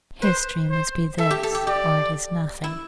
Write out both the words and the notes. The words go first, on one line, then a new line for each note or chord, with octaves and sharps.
History must be this or it is nothing.
B4 C5
C5
A4 E5
G4
A4
G4
G4 D5
E4